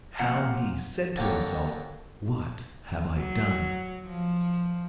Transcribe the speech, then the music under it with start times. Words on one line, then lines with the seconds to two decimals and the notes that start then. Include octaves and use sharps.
How he said to himself, "What have I done?"
0.19 A#2 F3 F#5 A#5
1.16 F2 D3 A#3 G4 C#5
3.17 F#3
4.07 F3